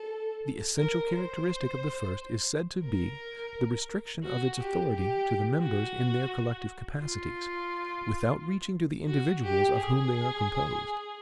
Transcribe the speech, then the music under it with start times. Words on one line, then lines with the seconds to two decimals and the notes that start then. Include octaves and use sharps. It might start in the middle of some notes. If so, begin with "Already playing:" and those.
The essential characteristic of the first is said to be, the restriction of its authority to the members in their collective capacities, without reaching to the individuals of whom they are composed.
Already playing: A4
0.77 A#4
1.12 C5
2.84 A#4
4.23 F#4
4.58 G4
4.92 G4
5.61 F#4
7.00 F4
9.07 F#4
9.42 G4
9.77 G#4